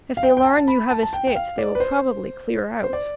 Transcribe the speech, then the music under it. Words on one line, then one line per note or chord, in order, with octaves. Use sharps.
"If they learn you have escaped, they will probably clear out."
F5
G5
G5
A5
A5
B5
A5
A5
G5
G5
F5
D5
B4
C5
C5
D5